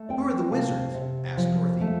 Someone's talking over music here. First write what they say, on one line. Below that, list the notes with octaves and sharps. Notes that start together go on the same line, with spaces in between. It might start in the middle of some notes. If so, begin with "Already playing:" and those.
"Who are the wizards?" asked Dorothy.
Already playing: A3
C4 D5 G5
C3 F5 A5
C3
F3
A3